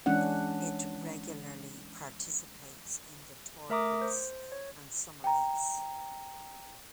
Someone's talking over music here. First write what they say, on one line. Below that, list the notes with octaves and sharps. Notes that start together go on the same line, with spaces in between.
It regularly participates in the Torpids and Summer Eights.
E3 G#3 C#4 D4 F#5
A3 A#4 E5 A#5 D6 D#6
C5
C#5
G5 A#5